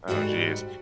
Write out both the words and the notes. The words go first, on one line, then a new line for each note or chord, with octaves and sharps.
Oh, jeez.
G#2 D#3 G3 F#4 F#5